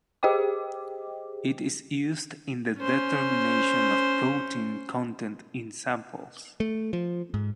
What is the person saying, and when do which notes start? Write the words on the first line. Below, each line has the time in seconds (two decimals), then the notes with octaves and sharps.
It is used in the determination of protein content in samples.
0.23 G4 G#4 C5 D#5 G5 D6
2.78 C#4 C5
6.60 A3
6.93 F3
7.34 G#2